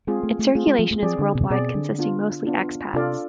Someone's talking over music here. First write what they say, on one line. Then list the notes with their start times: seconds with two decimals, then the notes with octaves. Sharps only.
Its circulation is worldwide consisting mostly ex-pats.
0.07 G#3 C4 F4 G#4
0.23 A3
0.39 A3
0.55 A3 C4 F4 G#4
0.67 G#3
0.79 F3
0.91 A3
1.03 F3 C4 G#4 D5
1.19 D3
1.35 B2
1.44 C3
1.50 B2 C4 G#4 D5
1.75 D3
1.98 B3 D4 F4
2.46 B3 D4 F4
2.94 C3 D4 F4 A4 D5 F5